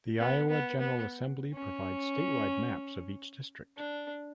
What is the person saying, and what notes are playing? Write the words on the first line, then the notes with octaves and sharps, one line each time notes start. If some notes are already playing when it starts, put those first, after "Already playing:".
The Iowa General Assembly provides statewide maps of each district.
B3
B3
B3
C#4
D4